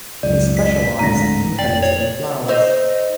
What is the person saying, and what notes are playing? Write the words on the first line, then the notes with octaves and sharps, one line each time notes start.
He specialized in painting flowers.
C#2 F#2 D5
B6
D1 G#2 D3 A#5 A#6
F1 D5 G5
C#5
D#4 C5 E5